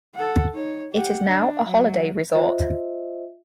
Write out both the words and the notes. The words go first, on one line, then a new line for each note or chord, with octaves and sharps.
It is now a holiday resort.
A4 F#5
D#4 C#5
G4 F#5
D4
F#3
F4 C5 D#5 E5